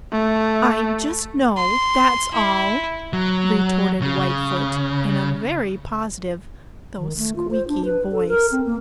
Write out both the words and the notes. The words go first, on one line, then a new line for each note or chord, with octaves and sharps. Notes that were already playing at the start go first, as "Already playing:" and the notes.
"I just know, that's all," retorted Whitefoot in a very positive though squeaky voice.
A3
C6
E4
F#3
C#3
D#3
A3
F4
C5
D4
B4
A4
A#4
C4
A#3